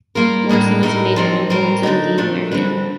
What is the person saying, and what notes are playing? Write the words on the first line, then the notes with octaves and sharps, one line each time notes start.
Morrison was a major influence on Dean Wareham.
G3 A#3 F4 A#4
A2 G3 A#3 D4
A2 A3 D#4 A#4
F3 C4 D#4 A#4
A2 G3 C4 G4 A#4
D3 A3 D#4
A#2 A3 D4
D3 G3 C4